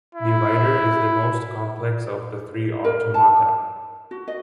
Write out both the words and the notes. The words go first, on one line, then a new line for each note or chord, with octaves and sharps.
The writer is the most complex of the three automata.
E4
A#4
A5
F#4
D#5